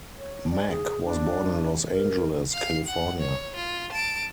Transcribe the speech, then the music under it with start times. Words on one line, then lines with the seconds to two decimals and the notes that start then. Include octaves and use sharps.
Mack was born in Los Angeles, California.
0.18 C#5
0.50 D5
0.69 G#4
1.05 D4
1.92 A#4
2.52 F5 C7
2.86 F#5
3.20 C#5
3.56 F4
3.92 A5 D7